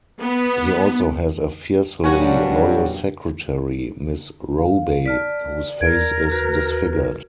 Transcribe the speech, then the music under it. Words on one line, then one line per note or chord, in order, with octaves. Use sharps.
He also has a fiercely loyal secretary, Miss Robey, whose face is disfigured.
B3
G2 A#2 F#3 C#4 F#4
F5
D5 A5 F6 B6
D#2 A#4 G#6 D7
F#4 B4